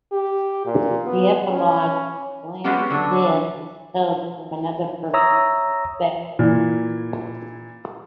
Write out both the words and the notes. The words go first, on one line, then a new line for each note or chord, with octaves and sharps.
"The Epilogue: Glahn's Death" is told from another person's perspective.
G4
A#2
B3
C#4
G3 G#3 B3 C#4 F#4 G4
D3 F#3 D4
C#5 E5 A#5 D#6 E6 A#6
A#2 E3